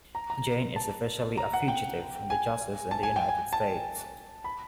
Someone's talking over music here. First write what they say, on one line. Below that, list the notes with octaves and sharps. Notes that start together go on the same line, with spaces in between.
Jain is officially a fugitive from justice in the United States.
A#5
A#5
A5
A#5
F#5
G5
G#5
A5
G#5
G5
G#5
A5
B5